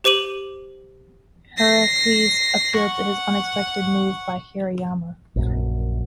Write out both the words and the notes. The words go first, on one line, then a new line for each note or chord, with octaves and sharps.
Heracles appealed to this unexpected move by Hirayama.
G4 C5 D6 D#7 F#7
A#6 C7
F#5 C#6
A#1 F#2